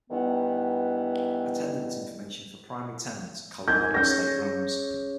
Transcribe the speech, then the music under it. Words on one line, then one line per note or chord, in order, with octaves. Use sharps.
Attendance information for primary tenant, Colorado State Rams.
G2 D#3 E3 B3
D#4 A#4 G#5 G6 G#6
C#4 G#4 C#5 G6 A#6